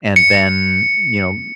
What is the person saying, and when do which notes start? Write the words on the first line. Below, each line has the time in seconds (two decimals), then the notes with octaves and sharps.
and then, you know,
0.16 C#7